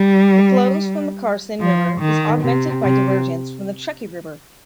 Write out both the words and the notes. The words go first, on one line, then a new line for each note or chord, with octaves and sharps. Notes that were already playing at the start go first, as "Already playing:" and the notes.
The flows from the Carson River is augmented by diversions from the Truckee River.
Already playing: G3
F3
D#3
C3
C3